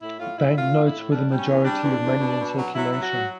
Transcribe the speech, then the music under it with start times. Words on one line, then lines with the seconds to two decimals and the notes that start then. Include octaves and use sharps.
Banknotes were the majority of the money in circulation.
0.02 A2 E4
0.19 A2 F4
0.37 A2 E4
0.56 A2 F4
0.74 A2
0.84 E4
0.92 A2
1.11 G3 D4
1.29 G3
1.38 C#4
1.47 E2
1.65 G3 D4
1.83 E2
2.02 E2
2.19 B2
2.38 B2
2.57 F#3
2.75 F#3 E4
2.92 F#3
3.01 F#4
3.11 F#3